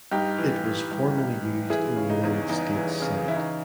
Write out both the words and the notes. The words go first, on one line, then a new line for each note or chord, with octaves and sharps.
It was formerly used in the United States Senate.
G2 D#4 G4
E3
E3
G2
G2
E3
E3 E4 G#4
C#3
D#4
E2
E2 D#4
E3
C#3
E3 E4
D#4